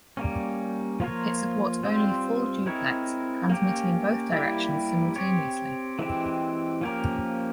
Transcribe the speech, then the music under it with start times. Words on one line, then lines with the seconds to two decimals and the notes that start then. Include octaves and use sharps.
It supports only full-duplex, transmitting in both directions simultaneously.
0.17 G3 A#3 C#4
1.00 F3 A#3 F4 A#4 C#5
1.84 G3 C4 F4 C5
2.66 G#3 C4 E4 A#4 C#5
3.50 A#3 C#4 G4
4.32 G3 A#3 E4 G4
5.16 C4 G4 C#5
5.99 E3 G#3 C4 G4
6.81 F3 A#3 C#4 G4 A#4